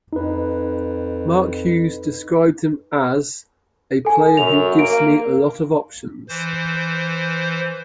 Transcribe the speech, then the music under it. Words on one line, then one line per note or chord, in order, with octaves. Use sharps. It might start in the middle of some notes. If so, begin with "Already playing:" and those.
Mark Hughes described him as ...a player who gives me a lot of options.
F2 D#4 B4
A4 G#5
F#2 F7
A#3 D7
E3 C5